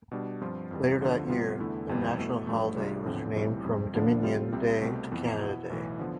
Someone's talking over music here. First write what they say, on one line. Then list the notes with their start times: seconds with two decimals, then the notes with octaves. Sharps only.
Later that year, the national holiday was renamed from Dominion Day to Canada Day.
0.11 B2 G3 D4 G4
0.41 G2 F3 C4 F4
0.71 F2 E3 G3
1.01 D2 D3 F3
1.29 C3 G3 B3 F4
1.59 E2 D3 A3 E4
1.88 G1 F2 E3 G3 B3
2.18 B2 A3 E4 A4
2.47 A1 G2 F3 A3
2.76 C2 C3 G3 D4 F4
3.06 E2 D3 F3 C4
3.35 B1 A2 E3 G3 C4
3.64 F2 C3 G3
3.93 D2 D3 F3 B3 D4
4.22 C3 G3 C4 F4 A4
4.52 C2 C3 G3 C4
4.81 C2 B2 A3 C4
5.12 F2 E3 B3
5.40 B2 B3 E4
5.70 B1 A2 E3
5.99 D3 F3 B3